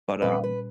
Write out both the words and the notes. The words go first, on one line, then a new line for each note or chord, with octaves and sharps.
but, um,
A#2 G3 C#4 B4
B4